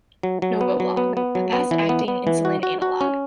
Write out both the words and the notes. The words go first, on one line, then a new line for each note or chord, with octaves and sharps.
NovoLog - a fast-acting insulin analog.
F#3
F#3
B3
F#3
B3
B3
F#3
B3
E3
B3
B3
E3
F#4
F#4
F#4
C#4